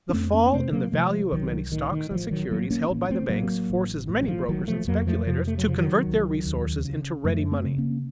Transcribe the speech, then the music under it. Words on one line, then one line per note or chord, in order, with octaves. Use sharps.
The fall in the value of many stocks and securities held by the banks forces many brokers and speculators to convert their resources into ready money.
C#4
F2 A3 C4
A#3 C#4
C#4
C3 A3 C4
F#3 A#3
C3 F3 A3
C2 D#3 F#3
A2 D#3
D#3
A1 F3
D#3 F#3
A2 F#3 A#3
A#3 C#4
A1 A#3 C#4
A3 C4
A2 F#3 A#3
A1
A2
F#3
F3
A#1 D#3 F#3
F3 A3
F2 F#3 A#3
F3 A3
C3 F3
A3
F#3
C#3 F3
D#3 F#3
C#2
D#2
C#3
F#2 F3 A3
A3 C4
C#3
A#3 C#4